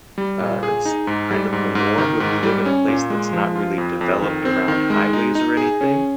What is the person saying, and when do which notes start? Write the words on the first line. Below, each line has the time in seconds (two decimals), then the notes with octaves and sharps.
uh, it's kind of the norm, we we live in a place that's not really developed around highways or anything,
0.18 G3
0.40 A#2
0.63 G#4
0.85 D#4
1.07 G#2
1.31 G3
1.53 G#2
1.75 G#2
1.98 D#3
2.20 G#2
2.43 G3
2.65 C#4
2.88 A#2
3.10 G#3
3.33 F3
3.56 F4
3.78 F2
4.01 F2
4.22 D#3
4.45 C4
4.68 D#3
4.90 G#3
5.13 D#4
5.35 D#4
5.57 G#4
5.81 C#4